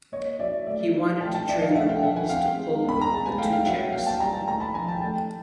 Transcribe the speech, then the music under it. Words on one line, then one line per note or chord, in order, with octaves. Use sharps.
He wanted to train the bulls to pull the two checks.
A#3 C#5 D#5
F#3 D5 E5
A3 D5 E5
F3
A3 G5 A5
G5 A5
F3 D5 E5
D#5 F5
A3 E5 F#5
F5 G5
F3 E5 F#5
F#5 G#5
C4 F5 G5
G#3
B3 B5
A#5
G#3 A5
G#5
A3 F5 G5
F5 G5
F#3 E5 F#5
A#3 F5 G5
G5 A5
G3 G#5 A#5
G5 A5
A3 G#5 A#5
A5 B5
F3 G#5 A#5
G5 A5
A3 G5 A5